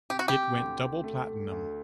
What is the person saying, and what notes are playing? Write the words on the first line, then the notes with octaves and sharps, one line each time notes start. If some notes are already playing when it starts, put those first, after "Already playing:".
It went Double Platinum.
C3 G4
F#4
G4
D2
A3
D2